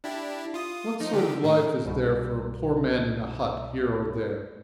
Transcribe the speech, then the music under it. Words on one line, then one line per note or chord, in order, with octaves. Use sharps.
What sort of life is there for a poor man in a hut here or there?
D4 E4 G4
F4 D#6
F3 D#4
D3 D#3 G4
A2 D#3
C2 G2 B2